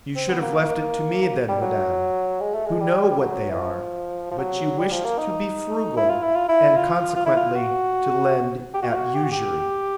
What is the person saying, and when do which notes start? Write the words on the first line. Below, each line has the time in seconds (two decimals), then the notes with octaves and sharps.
"You should have left it to me, then, madame, who know what they are; but you wished to be frugal, and consequently to lend at usury."
0.16 C4
0.29 B3
0.43 A#3
1.22 A#3
1.49 G3
1.61 F#3
2.41 G#3
2.54 A3
2.67 G#3
2.80 G3
3.12 G3
3.21 F#3
3.51 E3
3.60 F3
4.31 F3
4.39 F#3
4.78 G3
4.91 F3
5.05 A#3
5.18 D#4
5.97 E4
6.09 F4
6.22 E4
6.35 F4
6.49 E4
6.76 F4
7.16 F4
7.26 E4
7.37 F4
7.56 F#4
8.74 G4
8.82 F#4
8.89 F4
8.96 F#4
9.15 G4
9.23 F#4
9.32 G4